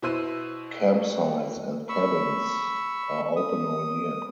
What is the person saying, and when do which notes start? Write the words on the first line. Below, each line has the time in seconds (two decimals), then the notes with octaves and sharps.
Campsites and cabins are open all year.
0.02 B2 E4 C5 E6 D#7
1.89 B5 C#6 E6
3.36 D#6